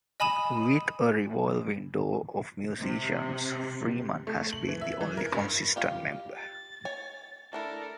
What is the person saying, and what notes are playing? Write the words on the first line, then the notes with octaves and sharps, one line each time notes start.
With a revolving door of musicians, Freeman has been the only consistent member.
D#5 G#5 B5 D#6 E7
C3
A3
F#7
E3
E5
E3
A#4
G2
F4 G4 F5
A6
C#5 G#5
A3 D4 E4 A4 A#4